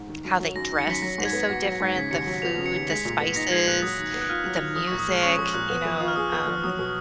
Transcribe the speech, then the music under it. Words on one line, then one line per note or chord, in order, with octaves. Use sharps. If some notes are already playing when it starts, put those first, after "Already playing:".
how they dress is so different, the food, the spices, u the music, you know, um,
Already playing: G#2
D#3
F#2
F#3
F#2 A#6
D#3
C#7
F#2 B6
F#3 A#6
G#2
G#6
B3
F#4 A#6
F#3
A#6
G#2
C#3 B6
D#2 C#7
F#3
B3 F7
C#3
C#7
D#2
G#3 B6
A#2
B3
D#4 A#6
G#3 G#6
A#2 F#6
F#3 D#6
D#3
B3
F#6
F4 F6
F#3
D#3
F3 D#6
A#2 C#6
D#6
G#3
C#4 C#6
F3 D#6
A#2 F#6
B3
F3
F4
F6
G#4 D#6
B3
D#6
F3
F#3 D#6
B2